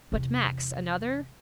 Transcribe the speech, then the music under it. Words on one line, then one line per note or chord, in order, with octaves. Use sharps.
'But, Max, another?
E2 C3